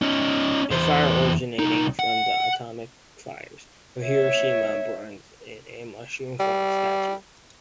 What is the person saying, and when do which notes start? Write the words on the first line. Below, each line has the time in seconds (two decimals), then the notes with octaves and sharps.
A fire originating from the atomic fires of Hiroshima burns in a mushroom-formed statue.
0.02 C#4 D#4
0.71 E2 C5
1.59 C2 D#4
1.99 F#5
4.02 C#5 E5
6.39 G3